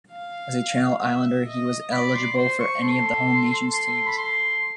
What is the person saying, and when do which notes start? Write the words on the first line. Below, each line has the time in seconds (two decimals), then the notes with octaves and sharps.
As a Channel Islander, he was eligible for any of the Home Nations teams.
0.11 F5
1.02 E5
1.47 D#5
1.92 D5 B5
2.15 C6
2.37 C5 C6
2.61 C#6
2.83 A4 C6
3.73 A4 C6
4.07 B5
4.18 C6